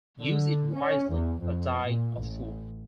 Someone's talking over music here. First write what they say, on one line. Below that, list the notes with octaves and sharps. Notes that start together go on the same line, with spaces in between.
Use it wisely or die a fool.
D3
C#4
E2
F2
A#2
A1